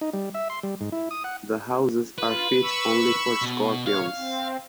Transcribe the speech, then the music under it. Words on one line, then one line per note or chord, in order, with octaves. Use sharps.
The houses are fit only for scorpions.
D#4
G3
E5
C6
G3
G#2
E4
D#6
F#5
F4 B4
B5 C#6 E6
B2
C#5 F5
C4